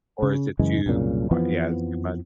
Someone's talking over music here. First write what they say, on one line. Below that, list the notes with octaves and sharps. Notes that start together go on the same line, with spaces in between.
Or is it too qu yeah. It's too much.
C#3
F#2 C#3 E3 G#3
C2 F#2 A#2 C#3
F2 E3 F3 B3